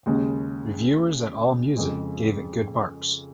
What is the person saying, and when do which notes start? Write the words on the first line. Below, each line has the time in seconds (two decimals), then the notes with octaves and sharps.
Reviewers at Allmusic gave it good marks.
0.06 D#2 C#3 G#3 C#4
1.76 F2 C#3 G#3